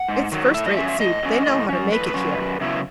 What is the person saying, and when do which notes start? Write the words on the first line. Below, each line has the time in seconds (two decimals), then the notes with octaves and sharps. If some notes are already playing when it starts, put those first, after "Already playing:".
It's first-rate soup, they know how to make it here.
Already playing: F#5
0.08 G#2
0.32 D#3 F#3
0.54 A2 E5
0.66 D#5
0.77 F#3 C#4 E5
0.88 E5
1.00 A2 D#5
1.22 F#3 C#4
1.46 A2
1.69 F#3 C#4
1.92 A2 B4
2.14 F#3 C#4
2.37 F#2
2.61 C#3 F#3 B3 E4